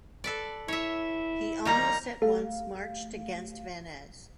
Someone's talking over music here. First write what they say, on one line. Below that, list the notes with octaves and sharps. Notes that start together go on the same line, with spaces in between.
He almost at once marched against Vannes.
A4 B4 D5
E4 C#5 E5
G3 A#3 D#4 A#5
A3 G4 A4 F5